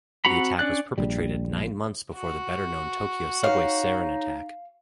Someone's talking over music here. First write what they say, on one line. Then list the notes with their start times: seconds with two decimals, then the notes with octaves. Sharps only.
The attack was perpetrated nine months before the better known Tokyo subway sarin attack.
0.25 C4 F#4 F#5 A#5 B5
0.59 C#4 D4 D5 F#6
0.98 A#1 G3
2.14 F#4
3.44 D#4 C#5 F5